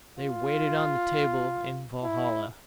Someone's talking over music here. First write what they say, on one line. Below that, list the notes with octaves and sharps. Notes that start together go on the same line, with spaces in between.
They waited on the table in Valhalla.
F4
E4